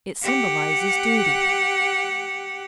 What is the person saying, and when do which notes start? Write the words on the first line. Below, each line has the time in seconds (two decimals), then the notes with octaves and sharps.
It symbolizes duty.
0.22 G4 F#5